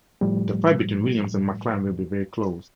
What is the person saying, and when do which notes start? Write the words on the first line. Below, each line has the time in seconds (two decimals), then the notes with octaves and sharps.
The fight between Williams and McLaren will be very close.
0.21 A2 F3 G3